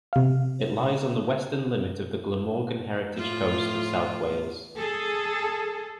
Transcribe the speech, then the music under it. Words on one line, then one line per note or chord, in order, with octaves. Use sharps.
It lies on the western limit of the Glamorgan Heritage Coast of south Wales.
C3 F5
A2 F4
G#4 A4